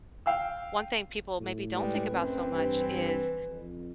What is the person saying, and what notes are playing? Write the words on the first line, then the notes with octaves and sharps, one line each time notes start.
one thing people maybe don't think about so much is,
F5 G5 E6
A2
G3 G#3 B4
F#2 C4
G2 E3
F2